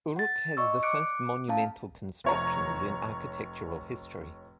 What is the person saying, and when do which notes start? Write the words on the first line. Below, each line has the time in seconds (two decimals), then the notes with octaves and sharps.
Uruk has the first monumental constructions in architectural history.
0.16 F#5 A6
0.57 D5 D#5 C#6 E6
0.83 D6 F#6 C#7 D7
1.48 A3 C#4 F5 A5
2.24 F1 C#5 A#5